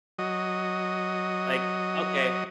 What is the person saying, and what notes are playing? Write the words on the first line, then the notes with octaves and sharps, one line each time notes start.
like, okay.
F#3 D#5